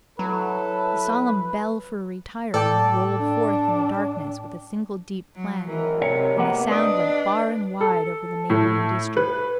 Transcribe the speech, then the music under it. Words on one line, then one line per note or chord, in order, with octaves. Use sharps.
The solemn bell for retiring rolled forth in the darkness with a single deep clang, and the sound went far and wide over the neighbouring district.
F#3 E4 A4 B4
A2 A4 D5 G5 D6
D4
F#3
G#1 E3 F#3 A#4
C3 C#5
A#3 B3 F#5
D4 B4 D5 D#5
A4
A2
B4